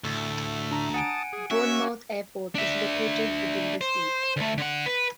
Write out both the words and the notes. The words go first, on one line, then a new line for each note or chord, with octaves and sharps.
Bournemouth airport is located within the seat.
D2 A2 A3
D4 A#5
F#5 G#5 A5 D#6 D7
G#4
C#4 F#4 E5
D4 E5
C5
D2 A3
D3 F#5
B4